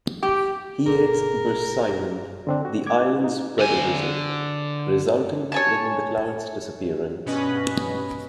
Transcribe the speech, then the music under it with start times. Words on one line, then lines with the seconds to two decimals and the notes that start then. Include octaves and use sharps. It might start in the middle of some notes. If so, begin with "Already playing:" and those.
He aids Bersimon, the island's weather wizard, resulting in the clouds disappearing.
0.23 G4
0.86 G1 B2 G#4 A#4
2.47 D3 C4 D4
2.65 F#4
2.87 D6 G#6
3.21 D#4 E4
3.59 D3 G#5
5.52 C#5 G#5 A5
7.26 G2 B2 C#4 B4 D#5 B5